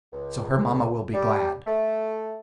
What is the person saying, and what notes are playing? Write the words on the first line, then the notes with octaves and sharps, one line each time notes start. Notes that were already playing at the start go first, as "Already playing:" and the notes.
So, her mamma will be glad.
C#2
G3
A3